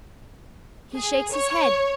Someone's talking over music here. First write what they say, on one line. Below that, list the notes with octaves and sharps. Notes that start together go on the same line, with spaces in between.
'He shakes his head!
G#4
C#5